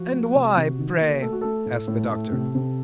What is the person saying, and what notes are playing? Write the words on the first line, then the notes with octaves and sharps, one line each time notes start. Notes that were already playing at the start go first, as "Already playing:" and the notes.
"And why, pray?" asked the Doctor.
Already playing: F3 F#4
A3
C3
C3
D#3
A#3
A3 A4
F#4
A3 A4
A2
A2
A3
C3
C3